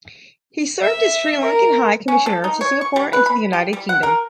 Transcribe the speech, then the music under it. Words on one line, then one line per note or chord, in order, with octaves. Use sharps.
He served as Sri Lankan High Commissioner to Singapore and to the United Kingdom.
E5
A#4
C#4
A4
D#4
C#5
C#6
G3
B4
B5
G4
G3
F#5
A#4